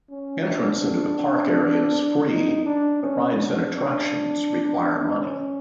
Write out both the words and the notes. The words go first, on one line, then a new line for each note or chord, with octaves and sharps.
Entrance into the park area is free, but rides and attractions require money.
C#4
D4
D#4
D4
C#4
D4
D4
C#4